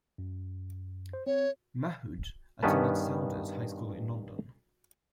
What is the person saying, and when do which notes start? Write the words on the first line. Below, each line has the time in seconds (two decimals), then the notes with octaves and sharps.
Mahood attended Saunders High School in London.
0.18 F#2
1.13 C5
1.27 C4 C#5
2.63 G2 D#3 B3 C#4 B4 A5